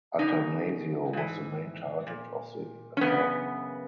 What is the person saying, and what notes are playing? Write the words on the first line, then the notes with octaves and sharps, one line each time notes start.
Attanasio was the main target of the attack.
F#2 C#3 D#4
G#2 E3
A#2
C#4
F#2 C#3 E3 B3